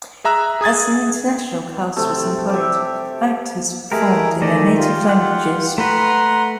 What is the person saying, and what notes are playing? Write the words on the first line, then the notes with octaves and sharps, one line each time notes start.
As an international cast was employed, actors performed in their native languages.
G#4 E5 A#5 E6 F#6
G#4 D#6 G#6 A6
C3 A3
G4 E5
G#3 A3 G4 G#4 A#4
D#3 A3 D5 D#5
F4 G4
F#5
A3 B4 F#5 A#5 C6